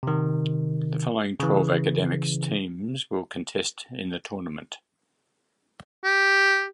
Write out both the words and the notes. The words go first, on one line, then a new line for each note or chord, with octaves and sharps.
The following twelve academics teams will contest in the tournament.
C3 D#3
C#3 E3
G4